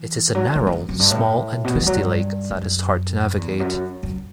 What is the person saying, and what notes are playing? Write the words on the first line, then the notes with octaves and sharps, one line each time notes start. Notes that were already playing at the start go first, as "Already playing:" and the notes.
It is a narrow, small, and twisty lake that is hard to navigate.
Already playing: E3
F#3
E3
E3
E3
F#2
G2
A2
B2
E3
F#3
G2
F#2
E2
F#2
F#2